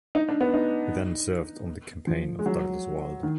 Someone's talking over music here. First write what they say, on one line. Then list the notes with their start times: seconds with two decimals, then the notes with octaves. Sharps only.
He then served on the campaign of Douglas Wilder.
0.15 D#4
0.29 D4
0.41 B3
0.54 D#4
2.07 F3
2.39 G#3
2.46 F#3
3.23 D#3